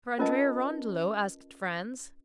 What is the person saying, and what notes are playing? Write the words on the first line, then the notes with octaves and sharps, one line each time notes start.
"For Andrea Rondolo?" asked Franz.
C#4 F4 A#4 B4 D#5 A5